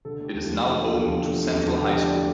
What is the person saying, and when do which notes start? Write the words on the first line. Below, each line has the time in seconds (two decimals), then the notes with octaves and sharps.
It is now home to Central High School.
0.05 D3 A4
0.20 A3 G4
0.34 E2
0.45 F4
0.49 F3
0.64 D3 A4
0.74 A3 G4
0.84 F4
0.94 E2 G4
1.08 F3
1.23 D3
1.38 A3
1.52 E2
1.67 F3
1.82 D3 G4
1.97 A3 D5